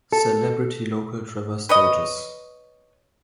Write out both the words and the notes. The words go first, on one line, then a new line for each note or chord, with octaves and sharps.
Celebrity local Trevor Sturgess.
A4
B4 C#5 D#5